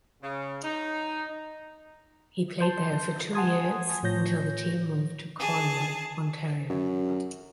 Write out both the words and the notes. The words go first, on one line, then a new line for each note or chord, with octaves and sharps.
He played there for two years until the team moved to Cornwall, Ontario.
C#3
D#4
A5 C6 G6
F#5 G#5 A5 C6 D#6 G#6
A2 F3 C#5 G6 A#6
G#4 A5
F#2